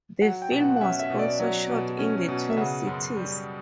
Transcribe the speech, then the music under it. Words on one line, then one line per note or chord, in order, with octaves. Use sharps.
The film was also shot in the Twin Cities.
F#3 F#5
G5
B2
F#5
F#5
C#4 E5
E5
B2
D5
F#3
B2
C#4
B2
E5
C#3 F#5
F#2
G3